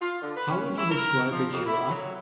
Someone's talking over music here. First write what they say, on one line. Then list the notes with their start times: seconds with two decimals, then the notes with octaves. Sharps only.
How would you describe a giraffe?
0.01 F4
0.22 D3
0.37 B4
0.50 C#4
0.77 E4
0.90 A#4
1.32 F3
1.53 F2
1.66 E4
1.90 F#3